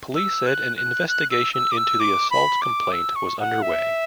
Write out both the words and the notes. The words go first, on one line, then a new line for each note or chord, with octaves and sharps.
Police said an investigation into the assault complaint was underway.
E6
F#6
F#6
F#6
E6
E6
D6
E6
D6
B5
D6
E6
C#6
F#5
E5